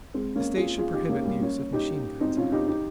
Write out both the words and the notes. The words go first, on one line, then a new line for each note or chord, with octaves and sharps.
The state should prohibit the use of machine guns in hunting.
G#3 C4
A#3 C#4
F4 G#4
F4 G#4
D#4 G4
A#3 C#4
G3 A#3
A#3 C#4
D#4 G4
C4 D#4
C#4 F4
D#4 G4
D#4 G4